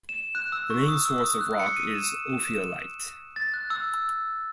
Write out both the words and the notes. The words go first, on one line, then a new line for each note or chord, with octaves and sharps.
The main source of rock is ophiolite.
E7
F#6
E6
C#6
E6
D#6
E6
D#6
E6
F#6
C#7
D#7
E7
E7
E7
A6
F#6
E6